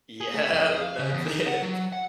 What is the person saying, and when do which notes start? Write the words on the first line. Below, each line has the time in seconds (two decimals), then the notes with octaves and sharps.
Yep, that's it.
0.21 G#4
0.34 A3
0.52 F2
0.69 G#4
0.81 F5
0.99 C#3
1.14 E2
1.30 D#4
1.47 F#5
1.62 F#3
1.93 F#5